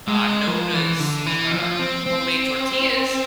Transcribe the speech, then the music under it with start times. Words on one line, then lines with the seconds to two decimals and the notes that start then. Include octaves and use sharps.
uh, Nona's, um, homemade tortillas.
0.08 G#3
0.47 F3
0.74 E3
1.00 D3
1.26 E3
1.53 F3
1.79 C4
2.06 C4